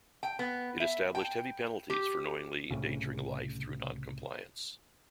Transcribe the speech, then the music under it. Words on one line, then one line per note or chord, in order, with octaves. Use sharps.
It established heavy penalties for knowingly endangering life through noncompliance.
G5
B3
E5
G5
G4
C2 A2 C#3